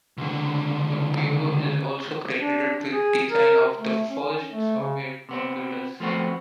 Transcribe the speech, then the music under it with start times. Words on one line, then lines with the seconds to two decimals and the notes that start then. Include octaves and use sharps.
The bureau is also credited with design of the first Soviet computers.
0.17 C#2 D3
2.40 D4
2.92 G#4
3.30 A#4
3.77 A3
4.09 C#4
4.51 A3
4.77 C#3
5.29 C3 B3 C4
6.00 F3 A3 B3 C4 F#4